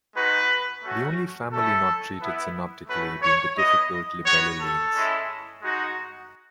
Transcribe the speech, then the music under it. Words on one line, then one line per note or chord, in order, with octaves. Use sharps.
The only family not treated synoptically being the difficult "Libellulines".
G#3 D#4 F#4 B4
A3 C#4 F#4
A3 C#4 E4 A4
B3 E4
A3 C#4 F#4 B4
C#5
B3 E4 D#5
B3 F#4 C#5
A4
G#3 C#4 E4
G#3 D#4 F#4